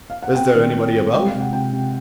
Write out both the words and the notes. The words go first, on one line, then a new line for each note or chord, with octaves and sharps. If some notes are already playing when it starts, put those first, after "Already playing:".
"Is there anybody above?"
F5
F#5
C4 G5
D#3
F4
C4
G#3 G5
F5
C3
F#5
C3 G5
C3